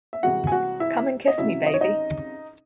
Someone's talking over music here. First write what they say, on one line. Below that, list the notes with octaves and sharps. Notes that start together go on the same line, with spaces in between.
Come and kiss me, baby.
E5
C2 C3 E3 G#3 F#4 F#5
G#5
F#4 F#5
E4 E5
D#5
C#2 C3 F#3 E4 E5
D#5
C#5
D#4 D#5